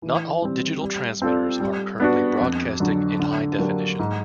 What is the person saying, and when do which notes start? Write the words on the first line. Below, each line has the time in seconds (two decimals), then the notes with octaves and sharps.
Not all digital transmitters are currently broadcasting in high definition.
0.02 E3
0.42 G3 C4
0.81 G3
1.22 C4 F4 A4 D5
1.60 G3
2.00 B3 D4 F#4
2.41 F2
2.80 D3 F#3
3.20 D3
3.59 F#3 A#3 D4 G4
3.99 G#2